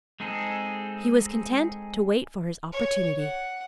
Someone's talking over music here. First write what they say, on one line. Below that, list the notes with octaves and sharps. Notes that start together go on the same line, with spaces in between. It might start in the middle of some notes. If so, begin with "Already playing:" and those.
He was content to wait for his opportunity.
G#3 C4 D#4 G#4 A4
C#5
F#5